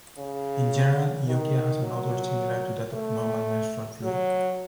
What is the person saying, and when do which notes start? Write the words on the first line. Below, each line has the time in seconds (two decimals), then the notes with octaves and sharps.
In general, lochia has an odor similar to that of normal menstrual fluid.
0.18 C#3
1.28 D#3
1.83 F#3
2.93 A3
4.03 F#3